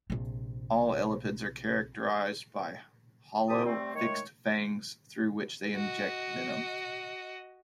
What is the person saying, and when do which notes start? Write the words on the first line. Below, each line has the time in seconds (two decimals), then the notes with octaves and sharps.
All elapids are characterized by hollow, fixed fangs through which they inject venom.
0.10 A#1 C3
3.49 C4 E4 G4 A5 D#6
3.66 G3 A3 C4
3.95 D#3 G#3 A3 C#5
5.74 F#4 D#5